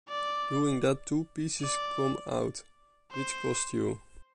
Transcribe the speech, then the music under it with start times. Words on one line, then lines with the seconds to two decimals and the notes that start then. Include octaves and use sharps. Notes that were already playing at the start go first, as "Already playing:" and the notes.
During that two pieces come out, which cost you.
0.09 D5
1.61 D5
3.12 C5